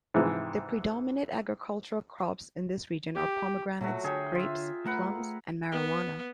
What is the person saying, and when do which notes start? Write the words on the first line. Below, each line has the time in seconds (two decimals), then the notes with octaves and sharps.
The predominate agricultural crops in this region are pomegranates, grapes, plums, and marijuana.
0.14 G#2 C3 E3 F3
3.16 G4
3.81 A#2 F#3 A3 F#4
4.04 D3 G#4 C#5 E5 G5
4.35 F4 E5
4.85 A3 B4 F#5 A#5
5.72 B3